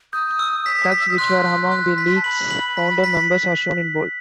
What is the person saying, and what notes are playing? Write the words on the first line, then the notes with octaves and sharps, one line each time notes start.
Clubs which were among the league's founder members are shown in bold.
D#6 G6
E6
B6
B6
E6
D#6
C6 F#6
F#6
F#6
B6
A5
B5 F#7
F#7
B6
B6
B5